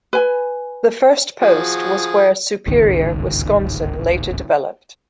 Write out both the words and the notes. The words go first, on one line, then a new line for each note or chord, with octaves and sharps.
The first post was where Superior, Wisconsin, later developed.
B4 G#5
F3 F#4 G#4
D1 G#1 C#2 D#3